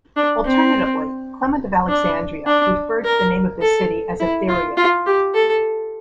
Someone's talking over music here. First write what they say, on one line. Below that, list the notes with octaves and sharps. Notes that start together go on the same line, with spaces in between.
Alternatively, Clement of Alexandria referred to the name of this city as "Athyria".
D4
C4
D4
D4
A#4
A4
E4
F4
F4
G4
A4